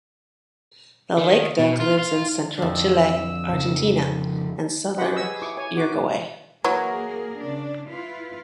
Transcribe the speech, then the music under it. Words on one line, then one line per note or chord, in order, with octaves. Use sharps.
The lake duck lives in central Chile, Argentina and southern Uruguay.
D#3
B2
F4
F4
F2 D3 E6
C#3 F3
F#4 G4 C5 D#5 F#5 B5
B4 C#5 D#5 G#5 C#6 E6
G#4
E4 C#6 D6
C#5 G#5
F#4 D6
E3 F#3 A#3 G#4 A#4
C#3 D4
E4 F4 B4